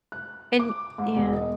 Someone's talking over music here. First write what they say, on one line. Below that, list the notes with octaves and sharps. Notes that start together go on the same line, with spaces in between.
And yeah.
F#6
D6
G#2
E1
D#5